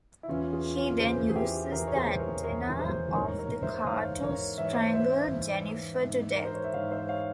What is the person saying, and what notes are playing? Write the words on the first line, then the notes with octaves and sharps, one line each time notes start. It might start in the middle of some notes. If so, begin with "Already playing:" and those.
He then uses the antenna of the car to strangle Jennifer to death.
E4
E2 E3 C#4 F4
F4 G#4
C#4 F4
E2 E3 G#4 C5
G#4
E4 G4
E2 E3 G4 A#4
C#5
G#4 C5
A#4 C#5
E2 E3 A#4 C#5
G#4 C5
G#2 E3 A#4 C#5
A#4 C#5
C5 E5
G#2 E3 C#5 F5
A#4 C#5
G#2 E3 E5
C#5
C5 E5
C5 E5
G#2 E3
G#2 E3
A#4
C5
C#5
E5
G#2 E3 C#5 F5
C5 E5
C#5 F5